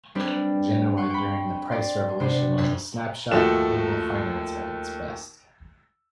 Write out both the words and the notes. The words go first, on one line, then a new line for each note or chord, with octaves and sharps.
Genoa during the price revolution was a snapshot of global finance at its best.
G3 C4 D4 G4 B4
F#5 C6 C#6
G5 B5
D5 C6
C3 B3 D4 C5
F#2
D#2 F3 A3 F#4 A4 E7